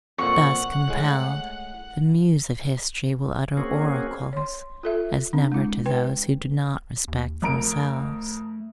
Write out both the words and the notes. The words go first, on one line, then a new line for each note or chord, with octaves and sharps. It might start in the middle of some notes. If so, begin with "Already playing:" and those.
Thus compelled, the Muse of history will utter oracles, as never to those who do not respect themselves.
F2 A#2 F#5 C#6
A2 G#3
A#3 C4 C#4 F#4 G#4
C#5 C6
F4 A4 E5
C4 D4
G#3 E4
B4 G5
D#2
F2 A3 A#4 D7